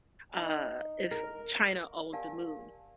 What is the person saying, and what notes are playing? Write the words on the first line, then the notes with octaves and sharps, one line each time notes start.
uh, if China owned the moon,
D#4
A#4
G4 A#4 D5 F5 G#5 A5